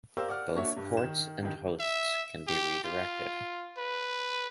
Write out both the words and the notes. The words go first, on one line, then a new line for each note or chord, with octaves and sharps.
Both ports and hosts can be redirected.
G4 A#4 C5 D5 F5 E6
D5 F#5 D6 F6
A#3 D4 F#4 C#5 E5
G2
D#3 E7
G2 D#3
E5
G4
F4
B4